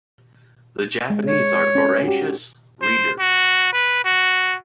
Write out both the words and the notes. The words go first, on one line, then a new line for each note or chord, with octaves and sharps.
The Japanese are voracious readers.
G#3
C#5
C#4
F#4 G4
C5
F#4
B4
F#4